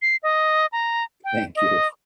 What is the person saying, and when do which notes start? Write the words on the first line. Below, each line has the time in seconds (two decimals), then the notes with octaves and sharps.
Thank you.
0.02 C7
0.23 D#5
0.72 A#5
1.24 G5
1.56 D#5